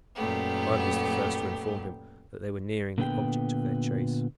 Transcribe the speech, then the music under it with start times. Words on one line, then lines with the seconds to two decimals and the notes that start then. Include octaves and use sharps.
Bud was the first to inform him that they were nearing the object of their chase.
0.15 F#2 A#2 A3 B3 G4
2.98 A#2 D3 B3 D4 G5